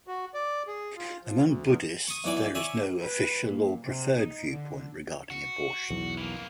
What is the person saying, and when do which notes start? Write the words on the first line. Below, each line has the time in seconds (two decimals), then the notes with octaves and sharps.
Among Buddhists, there is no official or preferred viewpoint regarding abortion.
0.07 F#4
0.34 D5
0.67 G#4
0.97 F4
1.23 F3
1.44 D2
1.64 E2
2.07 C#6 D#6
2.24 B1 E2 E3 D5 G#5
2.55 C#5 D5 E5 G#5
3.03 B4
3.47 A#2
3.85 C3
4.16 D#4
4.51 D3
5.30 F#4
5.90 B1 E2
6.18 E3 A#3